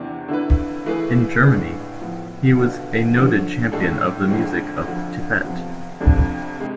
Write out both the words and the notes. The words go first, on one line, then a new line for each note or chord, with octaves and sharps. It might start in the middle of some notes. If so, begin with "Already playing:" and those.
In Germany, he was a noted champion of the music of Tippett.
Already playing: E2 C3 E3 B3 D4
D3 A3 E4 B4
E3 A3 E4 G#4 B4
A2 G#3 D4 G#4 B4
A2 F3 B3
B2 A3 D4 F4 B4
D3 F3 A3
A2 G#3 D4 A4
F2 D3 G#3 C4 F4
D2 D3 F3
F2 C3 F3 B3
F2 C3 F3 A3 D4
C3 G#3